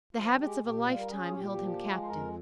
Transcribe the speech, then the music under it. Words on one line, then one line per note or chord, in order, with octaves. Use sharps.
The habits of a lifetime held him captive.
F3 F4
G#3 G4
A#2 G4
G3 F4
A#4
C#4 G#4
F4
A#2 G4
F3
G#3
C5
F2 A#4